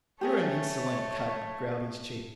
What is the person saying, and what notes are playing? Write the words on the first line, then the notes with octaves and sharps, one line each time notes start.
"You are an insolent cub," growled his Chief.
A3 G4 G#4 A#4 C#5